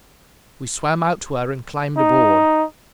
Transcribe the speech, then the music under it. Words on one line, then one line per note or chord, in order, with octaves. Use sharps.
We swam out to her and climbed aboard.
D#4